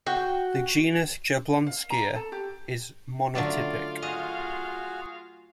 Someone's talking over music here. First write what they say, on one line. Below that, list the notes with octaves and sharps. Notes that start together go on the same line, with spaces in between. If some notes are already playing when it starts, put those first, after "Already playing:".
The genus Jablonskia is monotypic.
F#4 G5
F5
A#5
A4
G4
D3 F#3 A3 F4 D5 F5
F#4 G#4 D#5